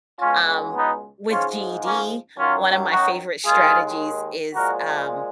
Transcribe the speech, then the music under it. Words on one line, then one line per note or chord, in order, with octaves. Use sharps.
Um, with GED, one of my favorite strategies is, um
C#2 B2 G#3 C#4 F4
B3 D#4
G#2 F3 G#3 C#4 F4
A#3 C#4
F#2 D#3 F#3 C#4 F4
D#4 F#4
D#2 D#3 G#3 F4 G#4
A#2 F3 G#3 F#4 A#4